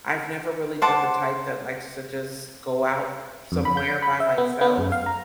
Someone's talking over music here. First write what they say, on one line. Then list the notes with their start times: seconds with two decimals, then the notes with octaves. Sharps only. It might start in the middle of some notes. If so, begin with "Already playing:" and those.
I've never really been the type that likes to just go out somewhere by myself,
0.82 C5 F#5 A5 D6
3.52 F2
3.65 B5
3.77 G6
4.02 B5
4.20 E5
4.38 B3
4.61 B3
4.78 F#2
4.92 F5
5.06 A#5